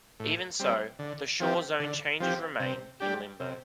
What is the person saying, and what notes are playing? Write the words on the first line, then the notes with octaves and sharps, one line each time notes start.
Even so, the shore zone changes remain in limbo.
A2
G3 C4
D3
F3 C4 G4
D3
F3 C4 G4
C3
G3 D4 G4
C3